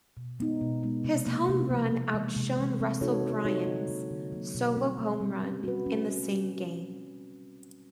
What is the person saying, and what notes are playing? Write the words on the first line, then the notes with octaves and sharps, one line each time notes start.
His home run outshone Russell Branyan's solo home run in the same game.
B2
G#3 B3 D#4
B2
G#3 B3 D#4
C3
F3 A#3
C3
F3 A#3
C3
E3 G#3
C3
E3 G#3
C4
D#4 F#4 A4 C#5
C4
D#4 F#4 A4 C#5
D3
F#3 A#3
D3
F#3 A#3
B2
G3 C4
B2
G3 C4
C#4
F#4 B4
C#4